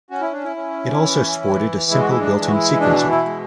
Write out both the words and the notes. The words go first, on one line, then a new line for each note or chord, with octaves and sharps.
It also sported a simple built in sequencer.
C#4 F#4
E4
D4
E4
C#4
E3
E3
G#3 E4
F#4
E4
D4
E3
F#4
E4
B2 D4
E4
G#3